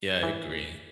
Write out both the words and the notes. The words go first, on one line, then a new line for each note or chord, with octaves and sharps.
Yeah, I agree.
E3